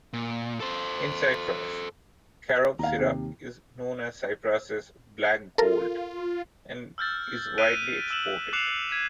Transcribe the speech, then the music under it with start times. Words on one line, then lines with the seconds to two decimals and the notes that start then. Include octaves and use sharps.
In Cyprus, carob syrup is known as Cyprus's black gold, and is widely exported.
0.13 A#2
0.60 A4 C5
2.79 D#2 F5 A#5
2.98 C3
5.58 F4 A4 A#4
6.98 E6 F6 G6 A6
7.58 F#6 B6 D7 D#7 F7 G7
8.10 E6 A6 E7 F#7
8.53 D6 F#6 C7 C#7 E7 F7
8.89 G#6 B6 D#7 E7